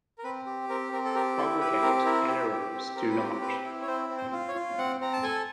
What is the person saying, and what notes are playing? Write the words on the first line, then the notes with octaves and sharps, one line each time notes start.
Obligate anaerobes do not.
A#4
C4 B4
G4
C4 A#4
C4 A#4
A4
G4 A#4
E4 A4
G4 B4
C4 A#4
E4 A#4
G4
G4
C4
C4 A#4
B4
G4 A#4
C4 B4
E4
C#5
C4 C5
C4
C5
F4
C#5
F4
C4 F#5
C4 A#5
A5
A4 G#5